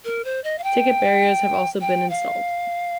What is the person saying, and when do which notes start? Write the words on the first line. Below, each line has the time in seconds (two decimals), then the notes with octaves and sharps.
Ticket barriers have also been installed.
0.05 A#4
0.25 C5
0.44 D#5
0.58 F5
0.64 G5
1.81 G5
2.10 F5